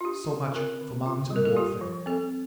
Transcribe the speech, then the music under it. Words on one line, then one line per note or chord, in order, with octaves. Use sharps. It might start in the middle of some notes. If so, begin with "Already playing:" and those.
So much for mountain warfare.
F4
D4 G4
F4
C4 A#4
D3
F4
G3
A#4
A4
F4 G4
F3
C4 A4